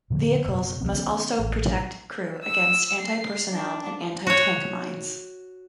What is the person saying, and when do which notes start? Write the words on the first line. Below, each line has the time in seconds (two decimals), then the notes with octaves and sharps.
Vehicles must also protect crew against anti-personnel and anti-tank mines.
0.10 A#2 D3 F3 A#3
0.45 F#1 B2
0.81 C2 F3 B3 C4
0.94 D#3 B3 C#4
1.39 A1
2.44 E6
3.01 C7
3.52 D4
4.27 F#4 C#5